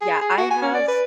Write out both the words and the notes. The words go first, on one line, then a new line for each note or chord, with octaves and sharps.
Yeah, I have
G#4
G#4
F#4
G#5
C#4
D5
B4